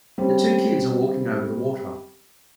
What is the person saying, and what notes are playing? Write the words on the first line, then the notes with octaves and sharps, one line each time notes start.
The two kids are walking over the water.
G3 C4 C#4